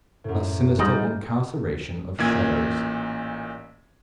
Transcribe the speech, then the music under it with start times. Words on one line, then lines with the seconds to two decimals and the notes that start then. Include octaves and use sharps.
A sinister incarceration of shadows.
0.24 F#2 A2
0.79 G#2 G3 D#5 F6 G6
2.18 A1 A#2 G#6